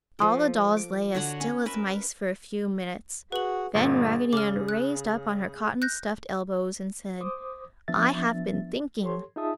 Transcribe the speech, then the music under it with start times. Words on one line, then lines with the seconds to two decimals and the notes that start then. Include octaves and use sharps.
All the dolls lay as still as mice for a few minutes, then Raggedy Ann raised up on her cotton-stuffed elbows and said: "I have been thinking!"
0.19 F3 A4
0.77 D6
1.15 D3 F#4 C#5 F#5
1.40 C#4
1.66 A#4 B4 E5
3.32 F#4 G#4 B4 F#5 F#7
3.74 G1 A#2 G#4 A6
4.33 C#3 D6 F6
4.69 F#6
5.82 F#6 G6 A#6
7.21 C5 D6 D#6
7.88 F3 B3 D4 E5 A6
9.02 G4 A4 C#5 C6
9.36 D#4 F4 G#4 E5 A5 D#6